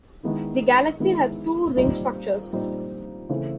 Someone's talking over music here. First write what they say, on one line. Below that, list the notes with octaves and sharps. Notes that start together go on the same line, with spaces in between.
The galaxy has two ring structures.
D#3 G#3 B3 E4
D#3 G#3 B3 E4
A#2 G3 C4 D#4
A#2 G3 C4 D#4
C#3 E3 A3 C4